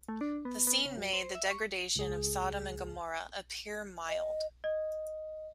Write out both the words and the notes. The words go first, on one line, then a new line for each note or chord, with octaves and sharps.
The scene made the degradation of Sodom and Gomorrah appear mild.
A3
D4
B3
B3
C#3
F#2
C5
E5
C#6
C#2 G#4
D#5
D#5